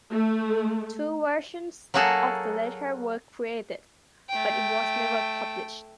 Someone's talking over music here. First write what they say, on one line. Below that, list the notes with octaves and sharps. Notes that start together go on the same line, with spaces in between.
Two versions of the letter were created, but it was never published.
A3
F#3 A#3 F#4 G#4 A4
A3 G5